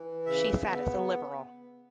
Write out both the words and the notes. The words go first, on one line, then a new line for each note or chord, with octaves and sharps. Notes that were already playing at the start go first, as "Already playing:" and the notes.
She sat as a Liberal.
Already playing: E3
C#3 E5
B3